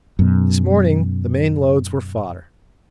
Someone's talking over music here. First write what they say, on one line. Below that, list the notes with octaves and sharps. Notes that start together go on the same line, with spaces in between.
This morning the main loads were fodder.
F#2 B2